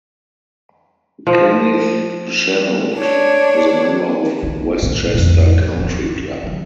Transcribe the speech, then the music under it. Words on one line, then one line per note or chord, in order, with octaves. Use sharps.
Kenneth Chenault is a member of Westchester Country Club.
F3
D4 C#5
D#4
A2
F2 A2
D1
D3
D2 F#3